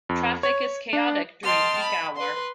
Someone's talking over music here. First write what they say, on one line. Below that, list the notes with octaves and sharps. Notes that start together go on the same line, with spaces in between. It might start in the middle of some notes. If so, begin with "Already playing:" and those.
Traffic is chaotic during peak hour.
F2
C#5
D4
D#5 G5 A5 C6 F6
B5
B4 C6